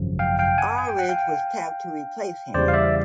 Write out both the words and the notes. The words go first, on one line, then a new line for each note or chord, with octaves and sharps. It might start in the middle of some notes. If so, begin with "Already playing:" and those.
Aldridge was tapped to replace him.
Already playing: G#1 F#2 C#3 F3
F5 G5
F5 G5
F#5 G#5
G#5
G5
F#5
F5 G5
E2 C#3 E3 G3 C5 D5
F5
D5 E5